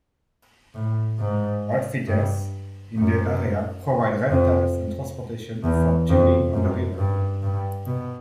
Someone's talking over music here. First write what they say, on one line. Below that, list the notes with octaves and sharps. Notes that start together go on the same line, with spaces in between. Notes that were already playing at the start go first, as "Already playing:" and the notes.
Outfitters in the area provide rentals and transportation for tubing on the river.
A2
G#2
G2
F#2
F2
E2
F2
F#2
G2
G2
B2